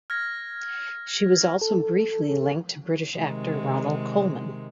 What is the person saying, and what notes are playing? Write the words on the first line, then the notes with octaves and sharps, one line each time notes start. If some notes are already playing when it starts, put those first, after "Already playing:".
She was also briefly linked to British actor Ronald Colman.
F6 G#6 A#6
A4
C3 D#3 G#3